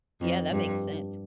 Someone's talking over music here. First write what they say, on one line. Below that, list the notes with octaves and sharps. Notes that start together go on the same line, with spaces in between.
Yeah, that makes sense.
F2
G2